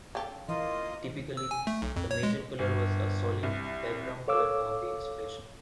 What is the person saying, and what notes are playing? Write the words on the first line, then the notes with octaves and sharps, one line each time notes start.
Typically, the major color was a solid, background color on the insulation.
C#3 G4 A4
E3 A#3 F4 D#5
E6
G#5
A3
B1
F2
C#5
G#3
G1
C2
A4 C#5 F5 D6 E6